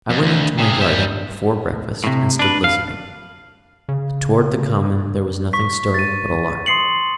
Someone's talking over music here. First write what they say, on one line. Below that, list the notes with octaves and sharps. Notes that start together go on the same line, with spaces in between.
I went into my garden before breakfast and stood listening, but towards the common there was nothing stirring but a lark.
F2
D2
C3 G#4
G3 E5
A2 C3
D4 B4
F5
C#3
C#6 B6
A6 D#7
C6 D#6 C7 C#7 F#7